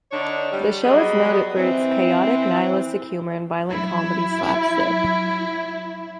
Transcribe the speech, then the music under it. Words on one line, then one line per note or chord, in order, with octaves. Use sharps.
The show is noted for its chaotic, nihilistic humour and violent comedy slapstick.
D3 D4 D#4 C#5
G3
F#3 G3 B3 G#4 D#5
E3 C4
F#3 E4